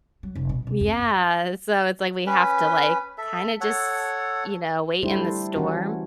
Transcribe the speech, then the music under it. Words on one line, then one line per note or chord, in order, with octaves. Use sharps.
Yeah. So, it's like we have to, like, kinda just, you know, wait in the storm
F#3
F1
B2
C3
F2
C#4 B4
A4 E5
A4 C#5 F#5
G3 A3 D4 E4 G4 C5
E3 C#4 F#4